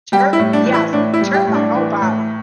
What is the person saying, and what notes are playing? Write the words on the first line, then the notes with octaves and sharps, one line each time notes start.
tur yes. Turn my whole body.
G3 G4
E4
A2
D4
E3
E4
A2 D4
E4
G3
G4
A2
D4
E3
A2